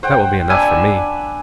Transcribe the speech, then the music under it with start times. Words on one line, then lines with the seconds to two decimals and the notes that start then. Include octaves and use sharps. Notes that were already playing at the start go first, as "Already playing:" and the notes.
That will be enough for me.'
0.03 C5 F#5 G5
0.50 D4 G#5 B5 E6